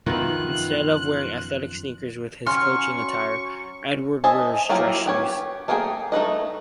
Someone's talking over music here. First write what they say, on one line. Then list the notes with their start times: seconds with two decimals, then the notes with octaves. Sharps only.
Instead of wearing athletic sneakers with his coaching attire, Edwards wears dress shoes.
0.06 F#2 B2 D#3 F3 B3 F4 E5 F#6
2.47 F#3 C#4 C6 C#6 F6
4.24 C5 D#5 E5 G#5 A5
4.69 F#3 A#3 E4 F4 G4
5.06 B3 G4 C#5
5.68 A3 A#3 G#4 C5 G5
6.12 A3 D#4 B4 D#5